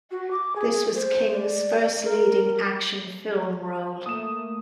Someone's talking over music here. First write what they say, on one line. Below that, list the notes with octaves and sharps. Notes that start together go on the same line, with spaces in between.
This was King's first leading action film role.
F#4
D6
G#4
C5
D5
A#4
A3 A#3 D#6 E7